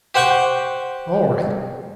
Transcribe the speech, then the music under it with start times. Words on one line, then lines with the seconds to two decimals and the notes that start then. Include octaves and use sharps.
'All right.
0.15 G4 C5 F#5 G5 C#6